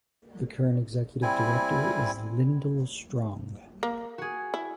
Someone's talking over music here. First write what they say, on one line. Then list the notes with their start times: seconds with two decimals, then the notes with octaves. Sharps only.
The current Executive Director is Lyndel Strong.
1.22 G3 C4 E4 G#5
3.83 A#3
4.18 F#4 G#4
4.54 E4